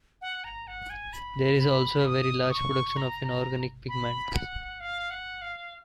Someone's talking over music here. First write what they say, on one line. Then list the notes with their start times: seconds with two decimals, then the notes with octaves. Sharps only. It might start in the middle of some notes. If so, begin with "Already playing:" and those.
There is also a very large production of inorganic pigments.
0.21 F#5
0.44 A#5
0.67 F#5
0.90 G#5
1.13 B5
1.59 B5
2.05 D#6
2.44 D#6
2.50 C#6
2.97 A#5
3.89 B5
4.34 F#5
4.80 F5
5.11 F#5
5.42 F5